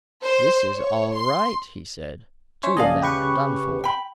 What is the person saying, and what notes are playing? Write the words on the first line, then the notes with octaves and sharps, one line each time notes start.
'This is all right!' he said; 'two of them are done for.'
C5
C#5
C6
C#4 C5 C#5 E5
A#1 C#3 A4 D5 D#5 F5 G#5
G4 B4 C#6
G5 B5